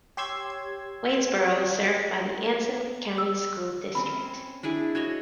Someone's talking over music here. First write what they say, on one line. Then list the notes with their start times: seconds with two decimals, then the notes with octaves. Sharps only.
Wadesboro is served by the Anson County School District.
0.17 G4 C#5 C6 E6 G#6
3.18 E6
3.95 C4 C#4 B5
4.63 D4 E4 G#4
4.95 F#4 C#5 D#5 G#6